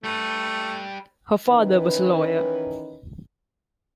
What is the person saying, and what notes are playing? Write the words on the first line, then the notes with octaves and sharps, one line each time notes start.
Her father was a lawyer.
G3 A3 B4
D#3 E3 C#4 D#4 B4